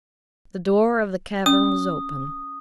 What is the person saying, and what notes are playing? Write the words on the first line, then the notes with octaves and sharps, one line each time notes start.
The door of the cavern was open.
C#4 D#6